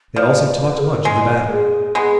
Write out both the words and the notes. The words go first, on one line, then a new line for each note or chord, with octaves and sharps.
They also talked much of the battle.
F3 D5
D#5
D5
B4
B4
G#4
A#4
G#3 B4
D#5
A#4
B4
G#4
G#3 B3 G#4